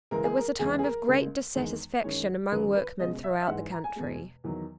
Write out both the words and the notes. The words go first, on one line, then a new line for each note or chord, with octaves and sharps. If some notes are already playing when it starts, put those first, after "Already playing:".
It was a time of great dissatisfaction among workmen throughout the country.
C#2 C#3 E3 G#3 A#4
G#4
A#4
E2 C#3 E3 G#3 G#4
G#4
A#4
C#2 C#3 G#3
E2 D#3 G#3
F#2 D#3 G#3 C#5
D#2 C#3 F#3 B4
B4
C#2 B2 G#3 D#5
E5
E5
G#2 E3 G#3 F#5
A#5
G#5
E2 B2 G#3
E2 D#3 F#3